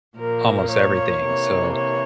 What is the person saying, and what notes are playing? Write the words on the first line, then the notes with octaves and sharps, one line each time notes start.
almost everything, so,
A#2 F3 A#3 A#4
C#5
C3 E3 A#3
C#5